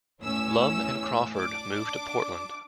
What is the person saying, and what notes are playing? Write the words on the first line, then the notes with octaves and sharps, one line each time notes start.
Lum and Crawford moved to Portland.
E2 A2 C#4 E6
D4 D6